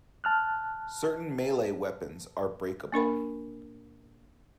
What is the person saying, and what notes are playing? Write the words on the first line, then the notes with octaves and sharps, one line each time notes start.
Certain melee weapons are breakable.
A5 F6 F#6
A#3 D4 A#4 B5